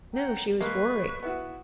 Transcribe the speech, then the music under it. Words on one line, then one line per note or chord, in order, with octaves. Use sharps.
"No--she was worried."
F#5 G5 A#5
G#3 A#3 B4 C#6 F#6
B3 E4 F#4